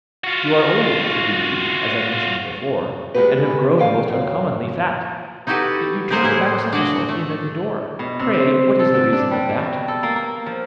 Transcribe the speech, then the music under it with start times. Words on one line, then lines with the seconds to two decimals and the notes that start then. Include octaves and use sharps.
'You are old,' said the youth, 'as I mentioned before, And have grown most uncommonly fat; Yet you turned a back-somersault in at the door-- Pray, what is the reason of that?'
0.24 F4 F#4
3.14 G#3 B3 F4 G4 G#4 B4
3.78 D2 F5 G5 G#5
4.10 F#2
5.47 D#4 E4 F#4 G4 A4 B4
6.10 G4 G#4 A#4 C5 F#5 G#5
6.23 A2 A#3 E4 G#4 C5
6.73 D4 F#4 D5 D#5
7.09 A3
7.99 B2
8.19 C3
8.33 C5
8.79 A4
8.94 D3
9.13 D4
9.31 G3
9.59 B2
9.88 A4
10.03 A#3
10.16 A#3
10.46 F3